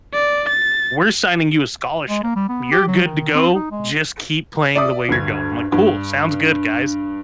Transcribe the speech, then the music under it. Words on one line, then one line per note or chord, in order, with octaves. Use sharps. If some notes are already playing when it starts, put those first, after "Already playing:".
We're signing you a scholarship. You're good to go. Just keep playing the way you're going". I'm like, "Cool. Sounds good, guys".
D5
A6
G#3
A#3
G3
B3
G4
F#3
D#3
C4
D#4
G#3
D5 E5 D6 D#6
D2 G2 G#6
G2